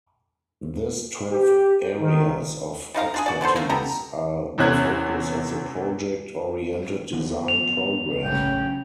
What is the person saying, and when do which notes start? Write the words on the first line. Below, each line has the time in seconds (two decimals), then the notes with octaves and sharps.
This twelve areas of expertise are the focus of the project-oriented design programme.
1.32 G4
2.00 D#3
2.94 G3 D#4 F5 A#5
3.14 D4 F4 G#4
3.26 F#4 D5
3.41 D3 B3 A4 C5
3.56 A3 A#3
3.70 B3 G4 A4 A#5
4.58 E2 C3 C#4 F#6 G#6
7.12 D3 F3 B3
7.48 F7
8.24 A1 F#2 A2 C#3 F#3 C#4 G5